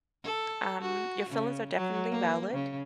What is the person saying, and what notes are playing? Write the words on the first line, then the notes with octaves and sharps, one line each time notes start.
Um, your feelings are definitely valid.
A4
F#4
C#3
F#3
A#3
C#3